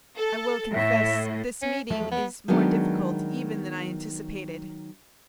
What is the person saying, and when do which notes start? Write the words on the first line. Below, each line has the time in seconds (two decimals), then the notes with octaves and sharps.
I will confess this meeting is more difficult even than I anticipated.
0.16 A4
0.74 A2 E5
1.62 C#4
1.90 E2 F3 F#3 A3
2.11 B3
2.48 D#3 F#3 G#3 B3 D4